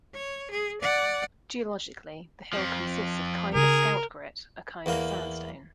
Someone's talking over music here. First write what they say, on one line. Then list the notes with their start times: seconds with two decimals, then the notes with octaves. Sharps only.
Geologically, the hill consists of Kinder Scout Grit, a kind of sandstone.
0.14 C#5
0.51 G#4
0.81 D5 F#5
2.53 F2 F3
3.54 C#3 D#4 G#4 A#4
4.86 E2 A#3